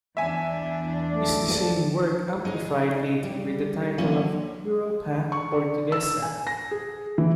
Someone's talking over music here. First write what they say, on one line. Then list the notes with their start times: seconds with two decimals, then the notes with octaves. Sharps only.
Is the same work amplified later with the title of "Europa portuguesa".
0.17 E2 D4 E5 G#5
1.12 A3 D5
2.45 G#3 D#4
3.23 G3
3.98 E3 F#3 A#3 C#4 E4
5.32 C#6
5.52 D5
5.92 E6
6.23 G#5
6.47 A#6
6.71 G#4
7.18 E3